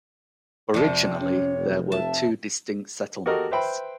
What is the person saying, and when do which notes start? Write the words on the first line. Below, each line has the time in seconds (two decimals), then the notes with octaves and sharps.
Originally, there were two distinct settlements.
0.74 F2 C3 D5
1.21 C#4 C#5
1.57 F1
1.92 E5 A5
3.26 F#4 G4 A4 A#4 D#5
3.51 B4 C5 E5 G5 B5